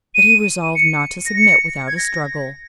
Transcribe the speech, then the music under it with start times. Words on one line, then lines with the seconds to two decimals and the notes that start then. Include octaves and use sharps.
But he resolved not to submit without a struggle.
0.15 D#7
0.75 C#7
1.26 A#6
1.36 C#7
1.87 G#6
1.97 A#6